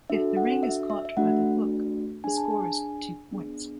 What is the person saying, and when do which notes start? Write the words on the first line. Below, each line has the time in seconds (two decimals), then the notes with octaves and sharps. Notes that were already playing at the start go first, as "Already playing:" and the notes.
If the ring is caught by the hook, the score is two points.
0.10 D4 F#4 A4 E5
0.37 F#5
0.63 E5
0.90 E5
1.05 E5
1.17 A3 D4 F#4 A4 F#5
2.24 D4 G#4 G#5
2.37 A5
2.51 G#5
3.31 B3 D4 G#4